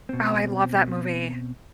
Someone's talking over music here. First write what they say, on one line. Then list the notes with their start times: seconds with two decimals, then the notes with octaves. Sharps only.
Oh, I love that movie.
0.09 B2 C4